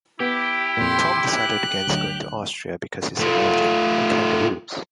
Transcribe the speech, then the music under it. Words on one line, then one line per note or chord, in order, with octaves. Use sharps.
Tom decided against going to Austria because he's allergic to kangaroos.
B3 E4 G4
F2 A#2 G5 C6
F#6
D2 F#3 D#5
A3 F4